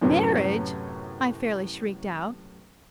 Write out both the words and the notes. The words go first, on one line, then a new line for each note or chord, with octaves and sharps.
"Marriage!" I fairly shrieked out.
F#2 A2 C3 F#3 B3 C#4